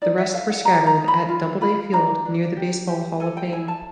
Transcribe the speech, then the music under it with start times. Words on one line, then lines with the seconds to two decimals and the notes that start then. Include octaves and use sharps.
The rest were scattered at Doubleday Field near the Baseball Hall of Fame.
0.02 D#4 D5
0.18 E5
0.33 A4 F5
0.50 F#5
0.65 G#4 A#5
0.87 A#5
0.98 D#4
1.08 B5
1.29 F4
1.61 F4 B5
1.93 D4 A#5
2.25 D4
2.57 G4
2.88 G4
3.20 A4 G#5
3.37 G5
3.52 E4 G#5
3.68 A5